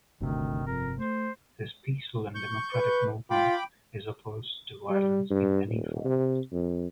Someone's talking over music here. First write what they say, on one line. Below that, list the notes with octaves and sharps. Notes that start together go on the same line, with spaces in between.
This peaceful and democratic movement is opposed to violence in any form.
G1 D2 C3 D#3
F2 A#4
A3 C5
C#6 G6
B4
F4 G5 B5 D6
G3
G2
D#1
C3
F2